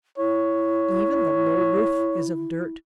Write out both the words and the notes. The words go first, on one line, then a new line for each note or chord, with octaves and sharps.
Even the low roof is of dirt.
E4 C#5